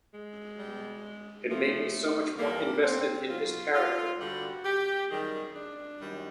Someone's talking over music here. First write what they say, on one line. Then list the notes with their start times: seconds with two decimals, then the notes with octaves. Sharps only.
It made me so much more invested in his character.
0.13 G#3
0.58 B2 G3
1.48 C3 F3 A3
2.38 G2 E3 G3 A#3
2.83 C4
3.29 B2 F#3 F4
3.74 F4
4.19 G2 D3 G3 F#4
4.64 G4
5.10 F#2 D#3 G3 G#4
5.55 D4
6.00 F#2 D#3 G3